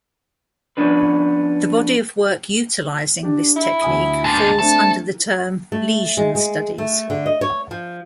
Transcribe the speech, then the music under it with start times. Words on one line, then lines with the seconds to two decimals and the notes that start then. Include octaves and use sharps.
The body of work utilizing this technique falls under the term "lesion studies".
0.77 F3 B3 C#4 D4 B4
3.23 D4 G4
3.56 E4
3.82 D2 G#5 D#6
4.24 F#2 D3 A5
4.59 A3 C4 D4 A4
5.72 A3
6.17 G#3
6.35 G#3
6.78 A3
7.10 D3
7.26 D#5
7.41 C#5
7.71 F3